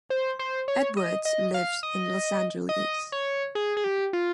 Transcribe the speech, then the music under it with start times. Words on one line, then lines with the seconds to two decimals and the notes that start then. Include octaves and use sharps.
Edwards lives in Los Angeles.
0.10 C5
0.39 C5
0.68 C#5
0.97 D#5
1.25 D#5
1.54 F5
1.83 D#5
2.69 D#5
3.12 C#5
3.55 G#4
3.77 G#4
3.84 G4
4.13 F4